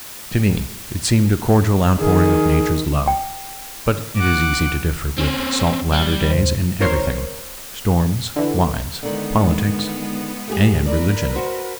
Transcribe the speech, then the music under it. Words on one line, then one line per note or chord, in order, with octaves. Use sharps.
To me it seemed a cordial outpouring of Nature's love; but it is easy to differ with salt Latter-Days in everything--storms, wives, politics, and religion.
D#3 G#4
G5
F#5 D6
C4 C#4
G3
D#2 C#3 C5
G#1 A#4 C5 C#5 C6
D3 E3
D3 D#3 G#3 B3
A3 G4 G#4
A#4 B4 D5
F#4 C5